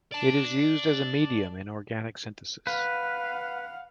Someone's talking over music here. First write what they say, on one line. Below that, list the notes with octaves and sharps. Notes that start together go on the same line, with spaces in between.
It is used as a medium in organic synthesis.
D5 A5
B4 F5 F#5